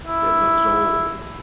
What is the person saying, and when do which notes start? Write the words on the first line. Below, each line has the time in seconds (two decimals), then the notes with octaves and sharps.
It looks old.
0.07 E4